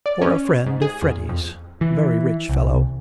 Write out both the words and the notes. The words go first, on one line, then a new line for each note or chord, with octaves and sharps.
'For a friend of Freddy's--a very rich fellow.
D5
C#4
G#2
G#4
E2
F2
E3
C2